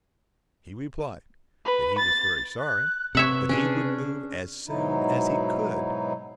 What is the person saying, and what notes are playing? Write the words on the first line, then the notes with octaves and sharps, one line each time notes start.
He replied that he was very sorry, but he would move as soon as he could.
B4
A6
F#6
C3 B4 C#5 E5 F#5
C#4 D4 G#4
G#2 B2 F#3 D#4 E4